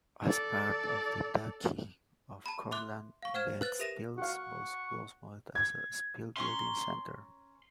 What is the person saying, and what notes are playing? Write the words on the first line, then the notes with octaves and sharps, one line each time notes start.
As part of the Duchy of Courland, Ventspils blossomed as a shipbuilding centre.
A4 D5
A5 B5
E5 C6 D6 F#6
F5 C#6
C5 F#5 F6 G#6 E7
B4 F#6 A6
G4 A#4 E5 A#6 D#7 E7
F#4 F5 F#5 C#6
G#6
C#4 A#5 C6 C#6